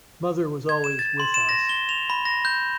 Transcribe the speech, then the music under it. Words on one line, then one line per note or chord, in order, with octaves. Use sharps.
Mother was always with us...
G#6
E7
A6
C6
E7
A#6
G7
F7
B5
A#6
G6